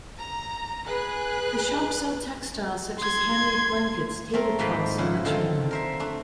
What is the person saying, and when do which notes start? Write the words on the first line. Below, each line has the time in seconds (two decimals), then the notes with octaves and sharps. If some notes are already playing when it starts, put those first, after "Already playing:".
The shops sell textiles such as handmade blankets, tablecloths, and much more.
0.18 A#5
0.87 G#4 B4 F#6
2.99 C6 G#6
4.34 A3 C4 A#4
4.59 G#2 D#3 F3 B4 G5 B5
4.98 C#3 E4 F#5
5.25 D3 D#3 C4 F4 A4
5.71 A#4 C5 E5
6.00 A3 D4